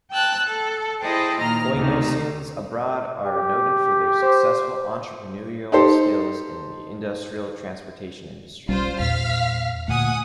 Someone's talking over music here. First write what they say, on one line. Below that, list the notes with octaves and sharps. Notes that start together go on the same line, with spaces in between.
Oinoussians abroad are noted for their successful entrepreneurial skills in the industrial transportation industry.
G5 A5 E6 F#6
A4
E4 G#4 C5 D#5 G5 A5
A#2 D#3 A#5 F6
D2 C3 D#3
G4
C5
D#4 G4 A4 C5
B1 G3 C#4 F4 C5
E2 A#2 F5 F6 B6
D2 A#2 A3 F#5 G#5 D#6